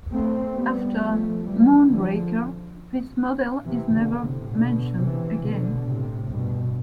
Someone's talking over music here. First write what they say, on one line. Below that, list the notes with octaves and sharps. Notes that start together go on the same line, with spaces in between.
After "Moonraker" this model is never mentioned again.
A3 C4
G3 B3
F3 A3
E3 G3
D3 F3
C3 E3
B2 D3
A2 C3
B2 D3
C3 E3
B2 D3
A2 C3
G2 B2